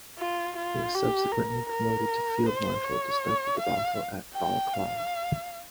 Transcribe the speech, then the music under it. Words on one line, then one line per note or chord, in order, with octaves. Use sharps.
He was subsequently promoted to field marshal despite the debacle at Balaclava.
F4
F4
G4
A#4
A#4
C5
C#5
F5
G5
F5